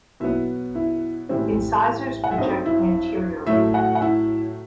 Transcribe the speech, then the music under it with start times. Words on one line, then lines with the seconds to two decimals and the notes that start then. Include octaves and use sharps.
Incisors project anteriorly.
0.20 B2 F#3 B3 E4 E5
0.75 E4 E5
1.29 A2 E3 G3 C4 E4 E5
2.24 F#5
2.31 E5
2.38 G2 F#3 C4 D#4 D#5
2.66 E4 E5
3.47 A2 F#3 A3 E4 E5
3.74 F#4 F#5
3.95 F#5
4.01 E4 E5